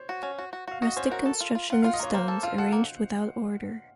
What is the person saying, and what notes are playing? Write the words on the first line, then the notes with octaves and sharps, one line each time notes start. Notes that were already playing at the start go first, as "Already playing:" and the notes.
Rustic construction of stones arranged without order.
Already playing: C5 C#5
F#4
C#4
F#4
F#4
F#4 F5
F#4 D#5
C#4 C5
F#4 A#4
A4
F4
F4
F4 F#5
F4 F5
D#5
A#3 C#5
A#3 C5
A4
F4 F5
A4 F#5
A#3